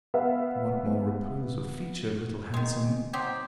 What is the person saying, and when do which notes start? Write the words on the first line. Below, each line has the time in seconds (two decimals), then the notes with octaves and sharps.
I want more repose of feature, Little Handsome.
0.14 B3 E5 F5
2.54 D#3 G#3
3.13 F#3 C4 D#4 G4